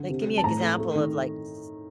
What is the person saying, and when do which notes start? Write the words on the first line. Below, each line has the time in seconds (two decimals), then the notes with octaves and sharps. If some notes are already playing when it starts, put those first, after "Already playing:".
Like, give me an example of, like, s
Already playing: D3
0.10 C3
0.27 G3
0.38 A5
0.44 A2 A#5
0.61 A3
0.78 A3
0.96 D#3